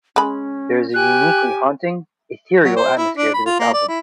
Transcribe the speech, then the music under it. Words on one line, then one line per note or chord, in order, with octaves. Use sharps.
There is a uniquely haunting, ethereal atmosphere to this album.
G#3 C#4 B5
G4 G#5 F#6
F#3
C5
E4
D4
B5
F4
A#3
D5
E4